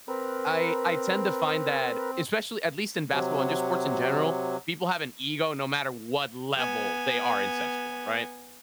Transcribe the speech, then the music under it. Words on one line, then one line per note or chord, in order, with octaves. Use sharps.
I I tend to find that especially at least in basketball and just sports in general, people have an ego no matter what level they are in said sport, right?
C4 A#4 B4
C3 F#3
B3 G#5